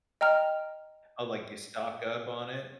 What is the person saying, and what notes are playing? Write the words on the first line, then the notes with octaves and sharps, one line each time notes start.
Oh, like, you stock up on it?
D#5 G5 A#5 F6